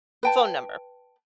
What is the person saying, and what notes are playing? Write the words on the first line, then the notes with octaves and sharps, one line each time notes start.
phone number
B4 G5 A5